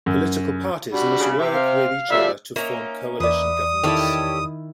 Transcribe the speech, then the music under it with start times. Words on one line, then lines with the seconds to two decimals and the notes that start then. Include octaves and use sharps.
Political parties must work with each other to form coalition governments.
0.06 F#2
0.93 G3 D4 F#4 B5
1.19 C#3
1.39 C3 E5
1.53 C4 F5
2.11 D2 F3 G3 D5 E5
2.56 A#3 C#4 D#4 E5 A#5
3.20 E2 B4 D5 E5 D#6
3.83 D#3 E4 G4 A4 C#5 B5